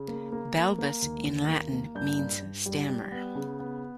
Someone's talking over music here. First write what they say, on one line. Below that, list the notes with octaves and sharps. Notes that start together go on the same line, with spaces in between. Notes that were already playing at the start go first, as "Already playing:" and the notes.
"Balbus" in Latin means "stammer".
Already playing: C#3
A#3
A#3
A#3
A#3
D#2
D#2
A#3
A#3
G2 G6
G2
G2
G3
G3
B3
C#3
B3